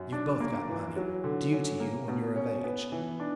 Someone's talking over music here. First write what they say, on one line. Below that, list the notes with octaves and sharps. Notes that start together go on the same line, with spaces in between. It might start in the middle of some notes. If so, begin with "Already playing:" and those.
You've both got money--due to you when you're of age.
Already playing: F#2
D4
A#3
E3
F#3
D3
C#4
A#3
B2
C#4
B3
E3
D4